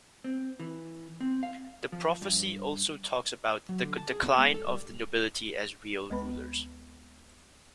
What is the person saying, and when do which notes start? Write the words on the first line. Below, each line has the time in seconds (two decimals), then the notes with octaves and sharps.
The prophecy also talks about the decline of the nobility as real rulers.
0.24 C4
0.60 E3
1.21 C4
1.43 F5
1.92 F3
2.21 G2
3.69 F#3
3.82 D3
3.98 A5
4.11 G#4
4.23 B3
4.39 G#3
4.54 A4
4.68 G3
6.10 D2 G#3 B3 B4 B5